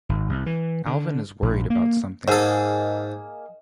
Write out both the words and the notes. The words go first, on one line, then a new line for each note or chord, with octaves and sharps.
Alvyn is worried about something.
G#1
C2
E3
D3
A#1
A#3
G#2 A#3 G#4 A4 D#5